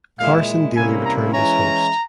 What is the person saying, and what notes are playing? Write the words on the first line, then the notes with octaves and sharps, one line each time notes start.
Carson Daly returned as host.
A#2 G#3 E4 F5
C3 G3 A#3 C#4 E4 G#5
A#5
E3 G#3 C#4 E4 A#5